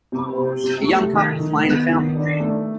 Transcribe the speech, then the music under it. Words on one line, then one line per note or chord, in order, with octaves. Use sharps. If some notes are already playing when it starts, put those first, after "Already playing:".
A young couple play in a fountain.
C3
C3
C3
A3
D#3
D#3
B3
D#3
D4
A3